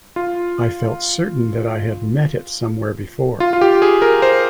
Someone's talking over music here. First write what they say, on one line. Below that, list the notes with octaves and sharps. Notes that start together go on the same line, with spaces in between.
I felt certain that I had met it somewhere before.
F4
F4
F4
G4
G#4
A#4
C5